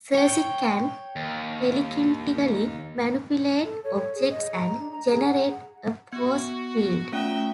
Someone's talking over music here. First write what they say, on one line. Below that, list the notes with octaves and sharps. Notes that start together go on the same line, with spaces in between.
Sersi can telekinetically manipulate objects and generate a force field.
C#5 G5
D#2
A4
C#5
C#5
G#4
D#5
A#5
D4
A#5
G#4
F#5
B3 F#4
A3 C#4 F4 E5 G5